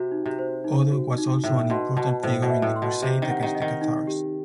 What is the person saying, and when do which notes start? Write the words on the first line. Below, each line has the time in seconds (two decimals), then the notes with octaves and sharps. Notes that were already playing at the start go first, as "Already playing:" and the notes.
Odo was also an important figure in the Crusade against the Cathars.
Already playing: C3 F#4
0.12 D#4
0.26 C3
0.39 C5
0.64 D#4
0.92 F#4
1.18 D#4
1.44 A2 E5
1.70 B2 C6
1.97 B2 A5
2.23 A2 C5
2.42 B2
2.50 E5
2.62 A2
2.76 C6
2.82 B2
3.02 C3 G4
3.22 D#3
3.29 F#5
3.43 D#3
3.55 D#5
3.62 D#3
3.81 D#4
4.07 G4